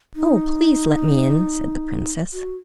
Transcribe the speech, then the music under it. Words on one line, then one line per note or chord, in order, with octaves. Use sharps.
"Oh, please, let me in!" said the princess.
D#4
F#4